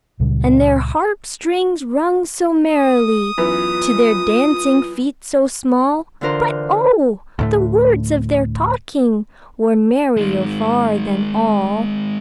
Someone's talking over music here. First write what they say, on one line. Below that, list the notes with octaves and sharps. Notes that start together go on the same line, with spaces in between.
"And their harp-strings rung so merrily To their dancing feet so small; But oh! the words of their talking Were merrier far than all."
C#2 A#2 C#3 G3
D#6
F#2 E3 B3 F4
D3 E3 D4 F4 A#4 C5
D2 A2 A3
D#3 G#3